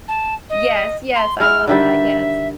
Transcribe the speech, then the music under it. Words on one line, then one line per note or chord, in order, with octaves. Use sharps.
Yes, yes, I love that, yes.
A5
D#5
C6
G#3 E4 F#5 F6
D3 D#3 G3 E5